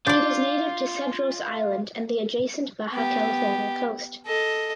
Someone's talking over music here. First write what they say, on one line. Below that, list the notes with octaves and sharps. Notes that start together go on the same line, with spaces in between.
It is native to Cedros Island and the adjacent Baja California coast.
D4 F4 D5 D6 G6
B3 G4
A4 D#5